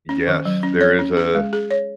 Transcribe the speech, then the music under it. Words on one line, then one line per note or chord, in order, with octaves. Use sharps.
yes, there is a
C#4
D#3
F#3
C#4
C#5
C#4
G#4
G#3
G#4
C#5